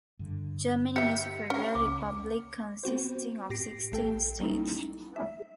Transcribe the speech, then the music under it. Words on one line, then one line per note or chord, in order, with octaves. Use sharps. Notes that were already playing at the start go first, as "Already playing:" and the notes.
Germany is a federal republic consisting of sixteen states.
G2 D3
G4 E5 C#7
C#4
C#2 D6
B3 C4 F#4 C5
A2 G4 A#6 C7 D7
A#1 A3 A4 G5
G3 A#3 C#4 D#4 E4
E5